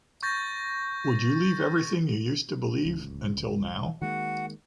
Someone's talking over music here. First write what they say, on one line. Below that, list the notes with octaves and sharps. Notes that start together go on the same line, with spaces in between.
Would you leave everything you used to believe until now?
C#6 G6 A6 A#6
D1 C#2
D#3 G#3 A#3 F#4 F#5